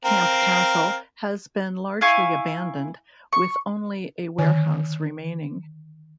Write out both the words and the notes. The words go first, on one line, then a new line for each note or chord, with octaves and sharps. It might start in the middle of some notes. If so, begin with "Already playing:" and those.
Camp Castle has been largely abandoned, with only a warehouse remaining.
C4 A#4 F5
E4 F5 G#5 C#6
C#6
D3 D#3 G#5